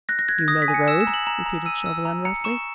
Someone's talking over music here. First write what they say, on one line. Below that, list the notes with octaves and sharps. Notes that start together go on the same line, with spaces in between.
"You know the road?" repeated Chauvelin, roughly.
F#6 A#6
A#6
F#6 G#6
G#6
D#6 A#6
B6
G#5
C#7
E6 E7
E7
A#5
F#7
A#5 E7
A#5
E6 D#7
E6
A#5
A#5 C#7
C#6 E7